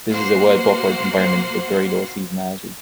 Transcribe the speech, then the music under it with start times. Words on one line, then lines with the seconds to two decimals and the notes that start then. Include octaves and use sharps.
This is a well buffered environment with very low seasonality.
0.11 A#3 F#4 C5 F#5 C7